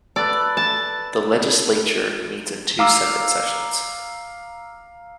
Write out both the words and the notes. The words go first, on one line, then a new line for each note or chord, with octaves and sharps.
The Legislature meets in two separate sessions.
A4 B4 D5
A5
F5 A#5 D6 E6